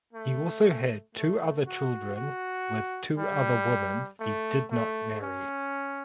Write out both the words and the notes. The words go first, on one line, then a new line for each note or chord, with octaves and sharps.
He also had two other children with two other women he did not marry.
A3
A3
F#4
F#4
G3
A3
A3
C#4